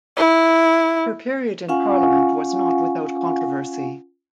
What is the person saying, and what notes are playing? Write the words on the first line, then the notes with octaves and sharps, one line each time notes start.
Her period in parliament was not without controversy.
E4
C#4 F4 F5 F#5 G#5 C#6